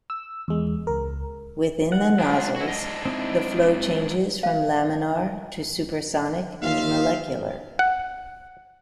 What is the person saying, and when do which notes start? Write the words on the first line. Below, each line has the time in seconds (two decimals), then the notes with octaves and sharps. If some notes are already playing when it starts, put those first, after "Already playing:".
Within the nozzles, the flow changes from laminar, to supersonic and molecular.
0.10 E6
0.48 E2 G#3
0.87 C#2 A#4
1.92 F#5
2.19 F2 F3 D4
2.56 E4 F#4
2.68 G#2 D4 D#5
3.05 C4 D#4 E4
4.43 F5
6.62 D#2 F4 E5 F5
7.79 F#5